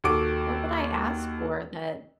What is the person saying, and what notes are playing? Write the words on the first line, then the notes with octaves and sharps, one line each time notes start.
what would I ask for that
D#2 F#4 A4 D6 D7